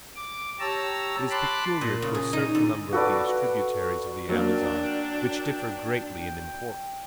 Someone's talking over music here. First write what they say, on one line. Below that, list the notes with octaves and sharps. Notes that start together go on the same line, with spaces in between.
It is peculiar to a certain number of these tributaries of the Amazon, which differ greatly in importance.
D6
G4 C#5 A5 A#5 E6
A5 B5 C6 D6 F#6
A#2
C#3
G#4
D#4
D3
F#4 A4 B4 D5
F#3 A#3 D4 G5